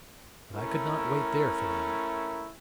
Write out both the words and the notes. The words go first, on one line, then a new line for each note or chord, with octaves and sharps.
But I could not wait there for them.
A3 C#4 E4 A#4